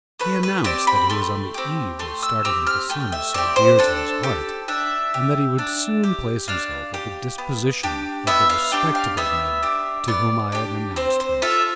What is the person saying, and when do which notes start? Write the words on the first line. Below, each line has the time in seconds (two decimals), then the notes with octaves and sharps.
He announced that he was on the eve of starting with the son so dear to his heart, and that he would soon place himself at the disposition of the respectable men to whom I had announced him.
0.19 A3 B4
0.43 B4
0.64 C4 G4 D5
0.87 B5
1.10 A3 C6
1.54 C4 G4
1.99 A3 C6
2.23 E6
2.45 C4 G4 E6
2.67 F6
2.90 A3 G5
3.12 E5
3.34 C4 G4 D5
3.56 C5
3.79 D4 A4
4.23 G4
4.68 D4 E5
5.14 G4
5.59 D4
6.04 G4
6.48 D4 F5
6.94 G4
7.38 B3
7.83 D4 G4
8.27 B3 E5
8.50 F5
8.72 D4 G4 G5
8.95 F5
9.17 B3 E5
9.63 D4 G4
10.08 B3 D5
10.52 D4 G4
10.96 C4 C5
11.20 C5
11.42 F4 A4 E5